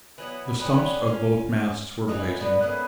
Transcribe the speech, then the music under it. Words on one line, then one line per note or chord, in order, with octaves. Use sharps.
The stumps of both masts were blazing.
E3 F#3 B3
F#3 G3 B3 C#4
C#4 F5
E3 F#3 D#4
D3 B3 F#4
A#3 B3 C#4 E4